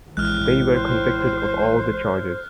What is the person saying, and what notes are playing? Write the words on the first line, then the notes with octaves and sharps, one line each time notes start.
They were convicted of all the charges.
A#1 A2 E3 G#3 F6 F#6
C5